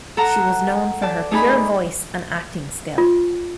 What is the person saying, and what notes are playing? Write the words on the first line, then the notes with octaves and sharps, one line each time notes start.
She was known for her pure voice and acting skill.
A4 F#5 A#5
D5 A5
A3 D#4 G#4 D5 B5
F4